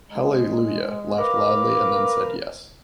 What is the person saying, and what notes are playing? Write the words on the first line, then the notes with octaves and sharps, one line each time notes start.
Hallelujah", laughed loudly and then said "Yes.
G#3
A#4 B4 F5 D6